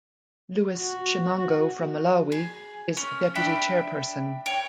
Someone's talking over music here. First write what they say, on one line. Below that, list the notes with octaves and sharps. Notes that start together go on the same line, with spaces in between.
Louis Chimango from Malawi is Deputy Chairperson.
F#4
G#4
C#4
D4 E5 G5 B5
C#5 G5